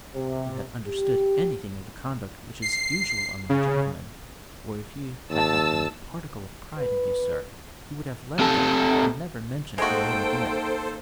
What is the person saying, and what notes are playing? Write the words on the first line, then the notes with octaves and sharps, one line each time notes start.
If you had understood anything of the conduct which is usual among gentlemen, or if you had had any particle of pride in you, sir, you would have left her and never mentioned her name again.
C3
G4
C7
C#3
D#2 A5 E6
B4
C3 A4
G#3 A#3 D#4 F#4 A4 C5 G5